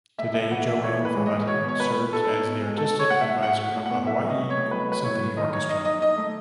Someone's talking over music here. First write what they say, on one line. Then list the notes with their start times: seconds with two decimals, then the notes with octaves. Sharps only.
Today, JoAnn Falletta serves as the artistic advisor of the Hawaii Symphony Orchestra.
0.18 A2 E5
0.34 A2 E5
0.51 E3 F#5
0.67 A2 E5
0.83 A2 C#5
1.00 E3
1.05 B4
1.15 G#3
1.26 D#5
1.31 G#3
1.47 F#4 C#5
1.64 B2 C#5
1.80 B2 B4
1.96 F#4
2.13 D#4 A4
2.29 D#4
2.45 B2
2.62 G#3
2.77 F#4 A4
2.94 F#4
2.99 C#5
3.09 A3 F#5
3.21 E5
3.26 A3
3.42 A3 F#5
3.58 F#4
3.75 A3
3.86 B2 F#5
4.07 F#3 E5
4.23 F#3
4.29 D#5
4.40 F#3
4.50 C#5
4.56 A2
4.71 F#3 B4
4.88 F#3 B4
5.04 E4 C#5
5.20 F#3
5.37 D#3 D#5
5.53 D#3 C#5
5.69 D#4 D#5
5.85 D#4 D#5
6.02 D#4 D#5
6.17 A3